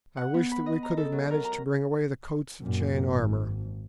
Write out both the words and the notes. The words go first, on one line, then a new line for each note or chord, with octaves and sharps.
I wish that we could have managed to bring away the coats of chain armour.
F#5
B3
B5
D#5
A#5
A4
F#3
A#4
A#5
F#2 A#2
G#1